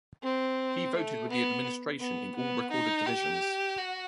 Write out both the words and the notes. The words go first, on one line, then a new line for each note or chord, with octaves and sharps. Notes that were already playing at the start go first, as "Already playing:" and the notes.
He voted with the Administration in all recorded divisions.
C4
A3
B3
B3
B3
D#4
G4
F#4